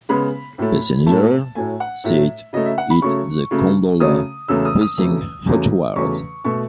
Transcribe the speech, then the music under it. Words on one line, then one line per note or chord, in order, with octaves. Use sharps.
Passengers sit in the gondola, facing outward.
C#3 G#3 B3 B5
A2 F#3 A3
A2 F#3 A3 A5
A2 F#3 A3 G#5
F#5
A2 F#3 A3 E5
C#3 F#3 A3 D#5
E5
F#5
B5
C#3 F#3 A3 C#6
C#3 F#3 A3
C#3 F#3 A3 D#6
E2 C#3 F#3 A3 E6
D#6
D#6
E2 C#3 F#3 A3
E2 C#3 F#3 A3
E2 C#3 F#3 A3 C#6
B2 A3 C#6